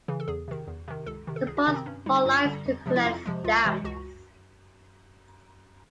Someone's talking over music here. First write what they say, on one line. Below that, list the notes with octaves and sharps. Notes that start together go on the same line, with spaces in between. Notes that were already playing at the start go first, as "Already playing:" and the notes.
Suppose Paul likes to collect stamps.
C#3 E3
A4
E2 G#4
C3 D#3
E2
C3 D#3
C#2 A4
C3 D#3
A4
C#2 G#4
F#4
C3 D#3 C#4
C4
G2 C#4
D3 G3 D#4
G2 F4
D3 G3
F2
C3 F3 G#3
E4
F2 F4
C3 F3 G#3
C#2 F4
C3 E3 G#3
C#2 F#4